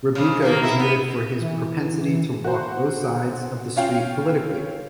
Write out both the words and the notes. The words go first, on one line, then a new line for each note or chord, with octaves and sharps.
Rabuka is noted for his propensity to walk both sides of the street politically.
F2 C#3
D#3 A#3
E4
B3
E3
F#4 C5
C#4 F4 F5 G5